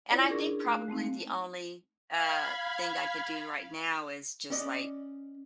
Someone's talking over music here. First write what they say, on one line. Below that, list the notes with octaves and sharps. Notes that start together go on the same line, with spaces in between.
And I think probably the only, uh, thing I could do right now is just like
C#4 E4 F4 C#5 D5
D4 G#4 A#4 C#6 A#6
A3 F5 F#6
G#3 A3 C4 D#4
F5 B5 G#6
C#4 D5 D#5